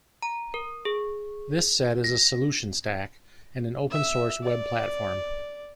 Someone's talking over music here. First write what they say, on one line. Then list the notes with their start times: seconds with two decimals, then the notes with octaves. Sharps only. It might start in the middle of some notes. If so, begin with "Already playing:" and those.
This set is a solution stack, and an open source web platform.
0.22 A#5
0.54 A#4
0.85 G#4
2.04 A#6
3.91 E5
4.43 D5